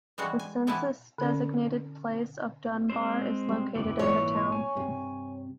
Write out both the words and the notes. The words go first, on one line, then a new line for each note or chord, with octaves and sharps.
The census-designated place of Dunbar is located in the town.
E3 G3 G#3 F#4
G#5
C3 E3 B3 E4 G#5 A5
D3 C#4 D5
G#3 C4 C5
G3
F#1 E2 G2 E3 D6
G#1 A#2 G3 C#5
G#5
G2 C3